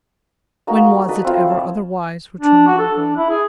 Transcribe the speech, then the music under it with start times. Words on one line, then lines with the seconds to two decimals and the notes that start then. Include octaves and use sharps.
"When was it ever otherwise?" returned Magua.
0.67 G#3 A#3 D#4 F#4
1.09 D#4 A4 B4 D5
1.24 C4 E4 F4
1.47 E4 D5 A5
2.40 D4
2.67 F#4
2.78 A4
2.95 D4
3.16 E4
3.30 G#4